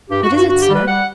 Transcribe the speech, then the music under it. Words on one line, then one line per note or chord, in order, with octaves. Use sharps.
"What is it, sir?"
G2 G4
F#4
G2
F#4
D3 F#4
G4
G3
B4
G3 F#5